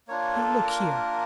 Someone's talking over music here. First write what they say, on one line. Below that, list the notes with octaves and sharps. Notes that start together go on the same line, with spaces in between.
Now, look here!
A#3 D4 F4 C#5
A4
A#4